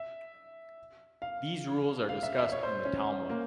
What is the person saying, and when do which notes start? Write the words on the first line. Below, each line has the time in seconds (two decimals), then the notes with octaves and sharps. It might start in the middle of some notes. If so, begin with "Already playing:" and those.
These rules are discussed in the Talmud.
Already playing: E5
1.22 F5
2.09 F5
2.23 E5
2.38 E5
2.52 C#5
2.63 C5
2.85 C#4
3.29 A#3